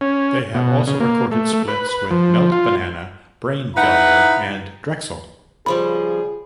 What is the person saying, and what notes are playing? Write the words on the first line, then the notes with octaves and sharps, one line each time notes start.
They have also recorded splits with Melt-Banana, Brain Failure, and Drexel.
C#4
B2
C#3
A#3
A3
A3
B4
B4
F3
F4
D#4 E4 B4 F#5 B5
C#3 F3 G3 G#4 B5